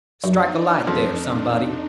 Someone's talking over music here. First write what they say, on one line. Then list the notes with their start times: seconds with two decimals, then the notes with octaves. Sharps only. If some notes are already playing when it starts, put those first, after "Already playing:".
Strike a light there, somebody.
0.24 F#2 D4 D#4
0.87 F2 F3